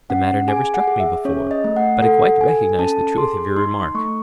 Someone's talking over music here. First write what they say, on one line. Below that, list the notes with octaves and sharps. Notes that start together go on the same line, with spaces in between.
The matter never struck me before; but I quite recognise the truth of your remark.
C#4 F#5
G#4 G#5
F#5
G#4
E5
C#4 C#5
D#5
A3
F#5
A4 F#5
A4 G#5
C#4 A5
G#4 C6
D#4 C6
A3 C#6